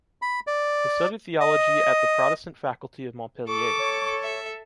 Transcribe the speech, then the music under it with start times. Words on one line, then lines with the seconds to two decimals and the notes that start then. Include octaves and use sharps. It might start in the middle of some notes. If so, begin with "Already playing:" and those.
They studied theology at the Protestant Faculty of Montpellier.
0.22 B5
0.47 D5
1.40 D#5
3.48 A4 C#6 D6
3.79 C#5
4.23 E5